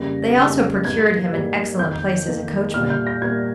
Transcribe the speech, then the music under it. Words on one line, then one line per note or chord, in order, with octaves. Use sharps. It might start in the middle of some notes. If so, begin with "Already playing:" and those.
They also procured him an excellent place as a coachman.
Already playing: F2 C#3 G3 A#3 A#6
F2 C#3 G3 A#3
G#2 G3 A#3 G#6
G#2 G3 A#3
F2 D#3 A#3 G6
F2 D#3 A#3
A#2 G3 A#3 F6
G6
A#6
A#2 G3 A#3 G#6